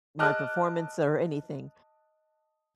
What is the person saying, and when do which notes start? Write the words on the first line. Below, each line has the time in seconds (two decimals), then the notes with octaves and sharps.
my performance or anything.
0.19 D#5 A5 D6 F6 F#6